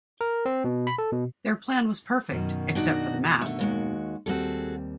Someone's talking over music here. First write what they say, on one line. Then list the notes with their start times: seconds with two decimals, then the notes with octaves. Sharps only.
Their plan was perfect- except for the map.
0.21 A#4
0.46 C4
0.64 B2
0.87 B5
0.98 A4
1.12 B2
2.31 F#2 B2 D#3
2.75 D4 D#4 F#4
3.41 D3 A3
3.59 D#2 G#3 F#4
4.26 D#2 G3 C4 F#4 G#4 A4